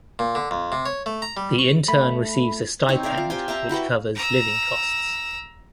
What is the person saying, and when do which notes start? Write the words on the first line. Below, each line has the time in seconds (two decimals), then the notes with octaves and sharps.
The intern receives a stipend which covers living costs.
0.19 A#2
0.35 D3
0.51 F2
0.72 C3
0.86 C#5
1.06 A3
1.22 A#5
1.37 G3
1.59 C#6
1.88 A3 B5
2.89 C4 D#4 C#5
3.03 A#4 D5 E5 F5
3.17 F4
3.30 G4 C5 G5 G#5
3.48 E5 G5 A5 A#5
3.69 E4 F#4 B4 G5
4.15 A#5 E6